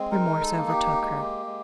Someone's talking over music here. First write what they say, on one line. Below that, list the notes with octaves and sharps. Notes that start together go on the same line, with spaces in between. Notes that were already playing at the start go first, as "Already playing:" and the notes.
Remorse overtook her.
Already playing: G#3 C4
D#4 A#4
A4
A#3
G#4
G4
G#3
G#3